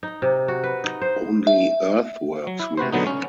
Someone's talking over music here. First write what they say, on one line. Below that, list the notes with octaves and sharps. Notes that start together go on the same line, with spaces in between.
Only earthworks remain.
D#4
C3
F#4
B4
D#4
C5
E5
F#3
E4
C3 F#4 B4 C5
B2 D3 F#3 B3 D#4
C#4